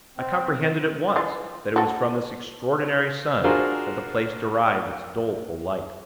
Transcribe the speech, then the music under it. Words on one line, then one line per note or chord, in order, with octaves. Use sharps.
I comprehended, at once, that it was from this extraordinary sun that the place derived its doleful light.
C4
E3 F4
F#4 A4
D4 F4 F#4 G#4 A#4 C5